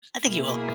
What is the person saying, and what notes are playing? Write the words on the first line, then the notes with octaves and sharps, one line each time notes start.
I think you will.
B2 A#3 E4 G#4